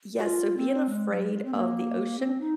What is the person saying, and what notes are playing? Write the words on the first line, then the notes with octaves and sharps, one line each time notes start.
Yes, so being afraid of the ocean,
F#4
F4
C4
G#3
F#3
G#3
C4
A#3
C4
D#4